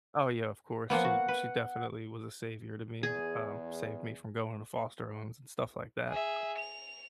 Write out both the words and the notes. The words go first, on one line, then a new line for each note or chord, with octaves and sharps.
Oh, yeah, of course, she she definitely was a savior to me. Um, saved me from going to foster homes and stuff like that, but
F3 A#3 B3 F#5
F#4
B4
E2 G#4
G#4 E5
F7